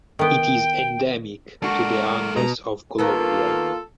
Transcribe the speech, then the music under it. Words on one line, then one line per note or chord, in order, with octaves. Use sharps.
It is endemic to the Andes of Colombia.
D#3 B3 G5
G#3 D4 F#4 A4 A#4
B2 A#5
D#3 A#3 B3 F4 A4 A#4